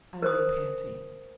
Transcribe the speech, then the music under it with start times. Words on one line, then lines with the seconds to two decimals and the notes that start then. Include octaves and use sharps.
I lay panting.
0.22 A#4 C5 D#6